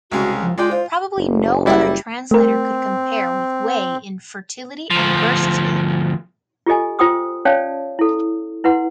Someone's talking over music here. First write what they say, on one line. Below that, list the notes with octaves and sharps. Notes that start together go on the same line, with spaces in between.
Probably no other translator could compare with Way in fertility and versatility.
C2 C#3 G#3 F#4
F3
G#3 F4 D5 G5
F4 C5
F#1
G3 E4
A3 C4 A#4
D2 F3
F4 G4 A4 D#5 G#5
F4 C5 G5 C6 D#6 E6
C#4 C#5 D5 F5 G5 A5
E4 A4
E4 B4 F#5 C6